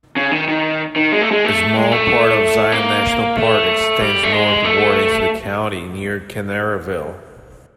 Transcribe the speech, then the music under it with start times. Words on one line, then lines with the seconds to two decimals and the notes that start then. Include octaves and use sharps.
A small part of Zion National Park extends northward into the county, near Kanarraville.
0.16 C#3
0.31 D#3
0.48 D#3
0.96 D#3
1.12 G#3
1.22 A3
1.31 G#3
1.45 A3
1.76 G#3
1.92 A3
2.72 A#3
3.37 A3
4.01 G3
4.23 A3
4.32 G#3
4.64 A3